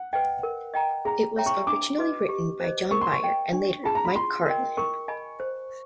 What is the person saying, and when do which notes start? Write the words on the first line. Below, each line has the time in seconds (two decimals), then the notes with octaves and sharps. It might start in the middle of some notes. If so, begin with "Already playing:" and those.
It was originally written by John Byrne and later, Mike Carlin.
Already playing: F#5
0.13 B4 D#5 G5
0.43 A#4
0.74 D#5 G5 A#5
1.05 G#4 A#5
1.36 C#5 E5 G5 A#5
1.46 C#6
1.67 D4 D6
1.98 F#4 B4 D#5
2.29 G4
2.60 C5 D#5
2.91 A#4 C#6
3.01 C6
3.12 C#6
3.23 D#5 G5
3.53 D4
3.84 F4 G#4 A5
3.95 A#5
4.05 B5
4.15 F4 C6
4.46 A#4 D#5 G5
4.77 A#4 C#6
5.08 D#5 G#5 B5
5.40 C5